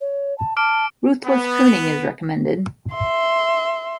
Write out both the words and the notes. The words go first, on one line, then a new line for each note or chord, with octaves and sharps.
Ruthless pruning is recommended.
C#5
A5
A5 D6 F6 D7
B3
E5 C6